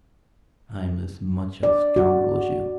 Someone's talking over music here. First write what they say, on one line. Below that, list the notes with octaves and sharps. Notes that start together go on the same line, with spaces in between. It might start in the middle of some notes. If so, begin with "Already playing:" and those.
I am as much a scoundrel as you.
D5
F#4